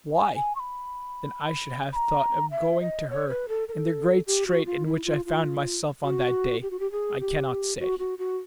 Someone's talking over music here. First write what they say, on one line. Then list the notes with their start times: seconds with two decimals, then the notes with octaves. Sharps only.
Why, then, I should have thought of going to her in the great strait in which I found myself on that day, I cannot say.
0.16 G#5
0.35 G#5
0.56 C#6
0.59 B5
1.93 B5
1.96 A#5
2.51 E5
2.80 D#5
3.10 C#5
3.29 B4
3.49 A4
3.68 A#4
3.73 A4
4.27 G4
4.47 F#4
4.66 F4
4.86 E4
5.05 F4
5.25 F4
6.03 F#4
6.62 G4
6.70 F#4
6.79 G4
6.91 G#4
7.20 G4
7.79 F#4
7.99 F#4
8.18 F#4